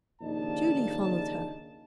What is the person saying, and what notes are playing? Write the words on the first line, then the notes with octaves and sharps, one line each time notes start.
Julie followed her.
A#1 D#2 C#3 D4 D#4 A5